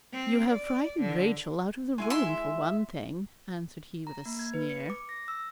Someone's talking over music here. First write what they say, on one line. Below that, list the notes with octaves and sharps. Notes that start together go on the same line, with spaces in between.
'You have frightened Rachel out of the room, for one thing,' answered he with a sneer.
C4
D5
D3
G#3 E4 G#5
E5 C6
A#5
A#3
G#6
B4
C#7
D6
A#6
E6